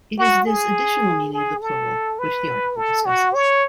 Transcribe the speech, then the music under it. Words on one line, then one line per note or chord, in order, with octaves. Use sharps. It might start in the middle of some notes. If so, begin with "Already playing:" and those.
It is this additional meaning of the plural which the article discusses.
F#4
G#4
G#4
A4
B4
A4
F#4
C#5